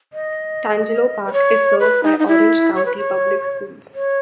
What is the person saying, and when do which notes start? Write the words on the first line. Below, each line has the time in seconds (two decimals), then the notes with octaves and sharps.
Tangelo Park is served by Orange County Public Schools.
0.13 D#5
1.27 B4
1.33 C#5
1.80 B4
2.04 D#4
2.19 D#4
2.28 E4
2.75 C#5
2.86 B4
2.97 C#5
3.95 C#5